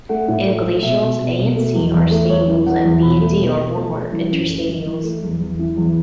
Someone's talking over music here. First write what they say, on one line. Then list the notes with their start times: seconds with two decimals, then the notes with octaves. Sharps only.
In glacials a and c are stadials and b and d are warmer interstadials.
0.09 A3 F#5
0.28 A2
0.46 A3
0.64 A3
0.82 B2 E5
1.01 B2
1.20 B2
1.38 B2
1.56 A3
1.75 E2
1.93 E2
2.11 A3
2.29 E2 C#5
2.48 E3
2.66 E3 F#5
2.84 E2
3.02 B2 B5
3.21 A3
3.39 B2
3.57 B2
3.76 A3
3.94 A3
4.12 E3
4.31 F#2
4.49 A3
4.67 E3
4.86 E3
5.04 A3
5.23 E2
5.40 E2
5.59 E3
5.77 E2